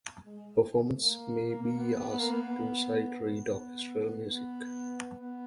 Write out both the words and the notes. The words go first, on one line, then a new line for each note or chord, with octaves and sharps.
Performers may be asked to sight read orchestral music.
G#3
A3
A#3
A#3
A#3
B3
B3
A#3
B3
B3
B3
B3